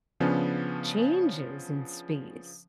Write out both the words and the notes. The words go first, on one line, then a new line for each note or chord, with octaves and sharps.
changes in space.
C#3 F3 B3 C#4 D4